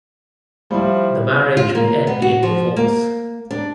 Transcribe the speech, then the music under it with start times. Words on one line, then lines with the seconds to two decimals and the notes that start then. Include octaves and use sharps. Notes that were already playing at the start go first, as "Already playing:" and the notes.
The marriage would end in divorce.
0.71 F3 G3 E4
1.57 F4
1.75 A#3
2.07 B3
2.22 F#4
2.43 F3
2.76 A#3
3.51 D4